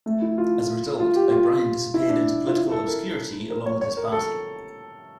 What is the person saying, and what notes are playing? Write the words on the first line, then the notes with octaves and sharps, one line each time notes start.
As a result, O'Brien disappeared into political obscurity along with his party.
A3
E4
F4
F4
G4
F4
E4
D4
F4
E4
A4
A#4
A#4
C#5
C#5
A#4
A4